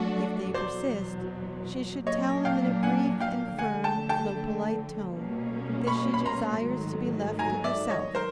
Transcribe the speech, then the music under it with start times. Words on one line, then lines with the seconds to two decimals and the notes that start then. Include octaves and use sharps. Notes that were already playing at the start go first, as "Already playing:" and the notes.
If they persist, she should tell them in a brief and firm, though polite tone, that she desires to be left to herself.
Already playing: F#3 A3 D4 F#4 A4
0.54 E2 B2 F#3 C5 D5
2.06 A#2 F#3 A#3 D4 C#5 D#5
2.45 F5 G5
2.83 F#5 G#5
3.20 F5 G5
3.59 D3 F3 A3 F#5 G#5
3.84 G5 A5
4.09 G5 A5
5.11 B2 G3 A#3 C#4
5.87 B5 C#6
6.14 B5
6.26 A#5 C6
6.63 G#2 D#3 F#3 A3
7.39 G#5 A#5
7.64 D5 E5
7.89 C#5 D#5
8.15 A#4 C5